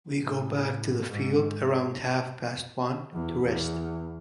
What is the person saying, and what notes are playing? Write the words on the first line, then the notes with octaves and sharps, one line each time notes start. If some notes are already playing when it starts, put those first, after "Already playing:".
We go back to the field around half past one to rest.
A2
G#2
E2
E2